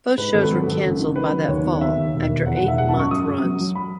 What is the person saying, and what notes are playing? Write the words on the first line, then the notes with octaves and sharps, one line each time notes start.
Both shows were canceled by that fall after eight-month runs.
G#2 B4
G#1 A4
B4
F#3 A4
G#1
F#1
D#3
D#3 B4
F#3
D#2 C#5
B3
D#3 E5
D#2
E1
D#3
E2 F#5
F#5
E1
E5
G#3 F#5
A5
F#2
C#6
F#2 D#6
F#2
F#3
F#3
B5